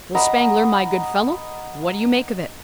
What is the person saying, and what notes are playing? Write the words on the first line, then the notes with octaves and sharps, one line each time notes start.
"Well, Spangler, my good fellow; what do you make of it?"
D#5 F#5 A#5 B5